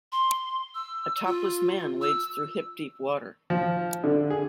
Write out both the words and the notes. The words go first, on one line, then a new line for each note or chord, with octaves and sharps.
A topless man wades through hip deep water.
C6
E6
F4
E6
F3
D3
G#4